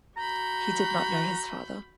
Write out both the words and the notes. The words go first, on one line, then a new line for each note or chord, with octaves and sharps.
He did not know his father.
F#4 A#5 B5 G6